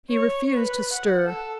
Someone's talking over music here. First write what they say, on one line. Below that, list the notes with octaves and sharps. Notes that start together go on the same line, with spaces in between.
He refused to stir.
C#5
B4
F#5
A4